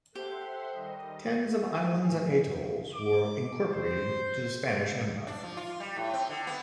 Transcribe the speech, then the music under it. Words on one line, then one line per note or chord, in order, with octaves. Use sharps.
Tens of islands and atolls were incorporated to the Spanish Empire.
G4 A4 C5 E5 F#5 C6
D#3 G3 D#5
G#5
A2
D6
C5
D4
F3
F4
G3
A2
C4
D3
B3